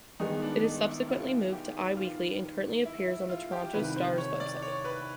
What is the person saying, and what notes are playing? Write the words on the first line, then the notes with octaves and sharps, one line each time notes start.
It subsequently moved to "Eye Weekly", and currently appears on the "Toronto Star's" website.
G2 D#3 G#3 B3 D#4
D4
D#4
E4
F4
G4
F4
E4
E4
F4
G4
C2 C3 D#3 B4
C5
C#5
D5
C#5
B4